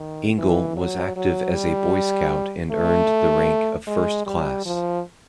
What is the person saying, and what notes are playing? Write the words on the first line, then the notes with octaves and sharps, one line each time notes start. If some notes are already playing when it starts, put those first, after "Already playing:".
Engle was active as a Boy Scout and earned the rank of First Class.
Already playing: D#3
E3
F#3
F#3
G3
A3
G#3
G3
F3